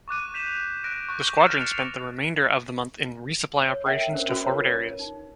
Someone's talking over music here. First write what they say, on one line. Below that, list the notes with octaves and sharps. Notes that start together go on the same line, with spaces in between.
The squadron spent the remainder of the month in resupply operations to forward areas.
C#6 D6 F#6 D#7
G6 B6 E7 F7
F#6 A#6 D7
C#6 F#6
F6 A6 A#6 E7
C7 C#7 F7
C#5
A#4 E5 F#5 G5 A#5
C#4 D4 A#4 C5
C#4 F#4 B4 B5
F4 A#4 B4 C#5
D#4